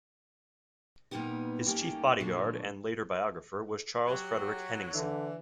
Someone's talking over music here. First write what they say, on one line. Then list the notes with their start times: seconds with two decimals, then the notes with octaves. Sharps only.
His chief bodyguard, and later biographer, was Charles Frederick Henningsen.
1.11 A#2 D#3 G3 A#3 B3 D#4
1.66 A2 G3 A#3 C#4 D#4 G4
2.20 A#2 D3 F3 F#3 G#3
4.07 F#3 G4
4.93 D3 E3